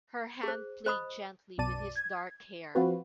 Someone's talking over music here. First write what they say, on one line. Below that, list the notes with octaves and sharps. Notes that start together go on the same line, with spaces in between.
Her hand played gently with his dark hair.
G#4 C5
C5 D#5 B5 D#6
B1 F#2 B2 D5 A5 D#7
G#6
F3 C4 F4 F#4 B4